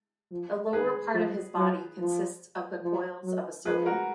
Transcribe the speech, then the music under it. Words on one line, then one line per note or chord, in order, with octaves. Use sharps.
The lower part of his body consists of the coils of a serpent.
F3
D#3 G#4 B4
F3
F#3
F3
F3
F#3
F3 G#4 B4
F#4 A#4